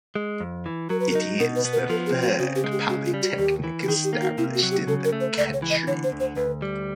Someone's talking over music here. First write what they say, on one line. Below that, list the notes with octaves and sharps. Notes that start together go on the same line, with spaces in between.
It is the third polytechnic established in the country.
G#3
F2
E3
F#3 A#4
B4
A#4
D#4
B2 A#4
B4
B3
A#4
F3 A4
G#4
C4
F#4
C#3 F#4
G4
G#3
G4
C#3 F#4
F4
G3
F#4
D#2 G4
E3
G4
D#3 G#4
G4
A#3
F#4
C3 E4
F#4
F#3
G4
C#3 A4
A#4
A3
C5
C#2 D5
C#5
E3
D#5
D3 C#5
C5
D2
C5
D2 B4
G3